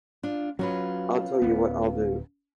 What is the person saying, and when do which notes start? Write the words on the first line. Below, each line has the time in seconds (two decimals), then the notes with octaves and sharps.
I'll tell you what I'll do.
0.23 D4 F4
0.59 F#3 C#4 F4 B4
1.42 D1 F#2 B3